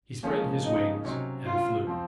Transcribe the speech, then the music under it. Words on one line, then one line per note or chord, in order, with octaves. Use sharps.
He spread his wings and flew.
C#3 F3 G#3 A#3 C#4
D#4
C3 F#3 C#4
F4
F3 C4